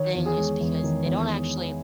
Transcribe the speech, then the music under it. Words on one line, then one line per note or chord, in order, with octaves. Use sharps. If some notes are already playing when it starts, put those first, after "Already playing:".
thing is because they don't actually
Already playing: D#3 C#5
E2
G#4
G#3
E2
D#3
E2